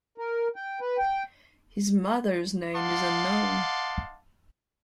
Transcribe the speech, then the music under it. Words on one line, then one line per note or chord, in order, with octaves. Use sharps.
His mother's name is unknown.
A#4
G5
B4
G5
D#5 F5 F#5 A5 C6 D6